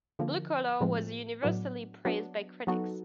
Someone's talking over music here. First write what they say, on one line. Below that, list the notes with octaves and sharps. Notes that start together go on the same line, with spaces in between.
"Blue Collar" was universally praised by critics.
D3 F3 A#3
A2 F3 G#3 C4
A2 F#3 B3 D4
F#3 B3 D4
F#3 B3 D#4 F#4 A4